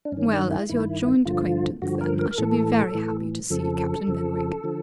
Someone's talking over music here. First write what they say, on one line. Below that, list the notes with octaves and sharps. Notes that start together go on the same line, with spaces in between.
"Well, as your joint acquaintance, then, I shall be very happy to see Captain Benwick."
D4
G2 D#3 C#4
D4
E4
G2 D#3 E4
G2 D3 F3 F4
G2 D3 F3 F#4
A#4
A#4
A#4
A2 E3 A4
A2 E3
F2 C#3 F3 A4
F2 C#3 F3
D3 F3